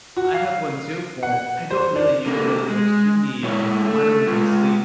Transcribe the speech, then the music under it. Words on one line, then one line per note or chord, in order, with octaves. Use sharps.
I have one too, but, I don't really use it other than to keep me, um monitoring my sleep.
F#4
F5
F#5
C5
D4
D3 A#3
G#3
G#3 E4 C#5
A3
G#3 F4